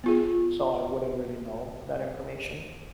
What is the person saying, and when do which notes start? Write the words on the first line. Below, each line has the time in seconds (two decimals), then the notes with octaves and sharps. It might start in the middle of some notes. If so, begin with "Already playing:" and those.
so, I wouldn't really know that information.
0.04 B3 F4 G#4